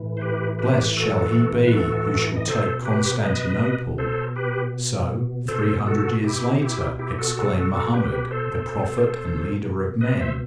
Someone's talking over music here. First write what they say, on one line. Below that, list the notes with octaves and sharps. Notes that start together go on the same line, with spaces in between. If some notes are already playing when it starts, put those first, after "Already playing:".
"Blessed shall he be who shall take Constantinople!" So, three hundred years later, exclaimed Mohammed, the prophet and leader of men.
Already playing: A2 E3
C5
G4 B4
G4 B4
F#4 A4
B4
F#4 A4
D#5
B2 A4 C5
G4 B4
B4 D#5
A4 C5
G4 B4
B2 A4 C5
F#4 A4
E4 G4
E4 G4
E4 G4
F#4 A4
F#4 A4
F#4 A4
F#4 A4
G4 B4
G4 B4
A4 C5
B2
B4 D#5
C5 E5